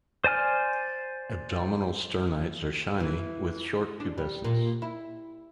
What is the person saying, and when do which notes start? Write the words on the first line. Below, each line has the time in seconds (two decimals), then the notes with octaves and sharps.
Abdominal sternites are shiny with short pubescence.
0.24 C5 D5 G#5 F6
3.00 E3
4.00 D4
4.18 G3
4.44 A#2
4.82 E4